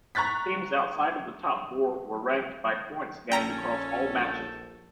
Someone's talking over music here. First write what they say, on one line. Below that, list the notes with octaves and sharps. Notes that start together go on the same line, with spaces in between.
Teams outside of the top four were ranked by points gained across all matches.
A#5 C#6 F#6 A6 B6
A#1 C#4 A4 G5 A#5 A#6